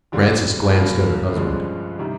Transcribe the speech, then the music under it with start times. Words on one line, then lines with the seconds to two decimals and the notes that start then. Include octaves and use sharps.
Francis glanced at her husband.
0.12 D2 D3 G3 C4
0.74 C2 B2 F#3 A#3
1.36 G2 D3 F3 G#3 C#4
1.98 C3 D#3 G3